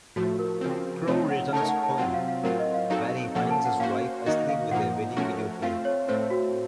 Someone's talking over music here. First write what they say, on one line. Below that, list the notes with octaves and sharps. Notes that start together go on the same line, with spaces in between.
Crowe returns home, where he finds his wife asleep with their wedding video playing.
A2 F3 A3 F#4
A#4
C#3 F3 C4
C3 F3 A3 C4 D#4 C#5
F#5
C#3 A3 D#4 A#4 C#5 A5
F#5
A5
C3 F#3 C4 F4 F#5
F5
F5
A2 F#3 C4 F4 A#4
D#5
F5
F#3 C4 D#4 F#4 A4 F5
A#2 F3 A#3 C#4 A4 F#5
A5
F#5
A#3 C#4 F#4 C5 F5
D#3 A#3 D#4 F#4 D#5
F5
A#2 F3 A#3 D#4 F#5
F3 A3 C#4 F#4 A#4
A3 C4 F4 F5
C#5
A2 A3 C4 C5
F#4